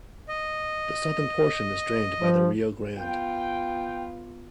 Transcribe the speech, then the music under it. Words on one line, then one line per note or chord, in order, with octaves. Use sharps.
The southern portion is drained by the Rio Grande.
D#5
F3
B3 F4 G5